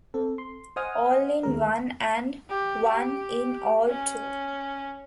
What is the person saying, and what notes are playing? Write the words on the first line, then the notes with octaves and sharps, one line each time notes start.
All in one and one in all too.
C4 A4
C6
C5 D#5 F#5 G#5 D#6 F6
D#2 G#3 A#4
G4
G4
C#4